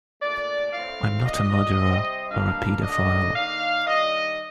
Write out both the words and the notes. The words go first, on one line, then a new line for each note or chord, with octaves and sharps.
I'm not a murderer or a paedophile.
A#2 A3 D4 D5
A2 A3 C4 F5
A#2 G3 D4 D#5
C3 G3 C4
G2 F3 A#3 D4 F5
D3 A3 D4 D#5
D#3 A#3 D4 F5
D#3 G3 D4 D#5